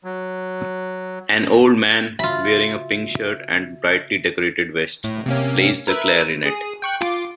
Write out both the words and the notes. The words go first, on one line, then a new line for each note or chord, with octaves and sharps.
An old man, wearing a pink shirt and a brightly decorated vest, plays the clarinet.
F#3
C#3 F4 F#4 E5 B5
A2
C3 A#3 C#4
A#4 B4 E5
G#4
G5 C#6 F#6
F4 D6